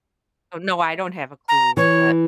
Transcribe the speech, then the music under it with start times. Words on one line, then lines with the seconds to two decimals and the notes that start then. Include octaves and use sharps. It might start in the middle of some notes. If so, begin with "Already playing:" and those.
So, no, I don't have a clue, but
1.48 A#5
1.77 E3 C#5